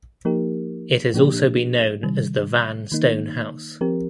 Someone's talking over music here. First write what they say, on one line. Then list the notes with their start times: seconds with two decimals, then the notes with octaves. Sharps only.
It has also been known as the Van Stone House.
0.25 F3 A#3 D#4 G4 A#4
1.14 A#2 F3 A#3 D4 G4
2.03 C3 D#3 G3
2.92 D#3 A#3 D#4
3.81 F3 C4 G4 A#4